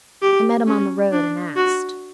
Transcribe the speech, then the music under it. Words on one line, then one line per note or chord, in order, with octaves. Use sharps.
I met him on the road and asked.'
G4
C#4
D4
F#4